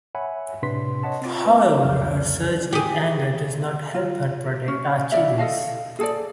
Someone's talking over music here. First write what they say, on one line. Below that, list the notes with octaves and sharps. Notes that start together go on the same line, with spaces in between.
However, her surge in anger does not help her protect Achilles.
C#5 E5 F#5 G#5 B5
A2 C3 D4 B4 C6 B6
C#5 D#5 F#5 A5
C4 F4
B4 D#5 E5 A#5
C2 F2 C#3 F#3 C#4 F6
G4 G#4
F4
C#4
D5 E5
A4 D#5 F5 A5
G#4 A4 D5